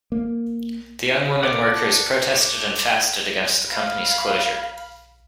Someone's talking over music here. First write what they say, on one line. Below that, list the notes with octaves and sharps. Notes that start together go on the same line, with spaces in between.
The young women workers protested and fasted against the company's closure.
A#3
A4 D5 F#5
F5 B5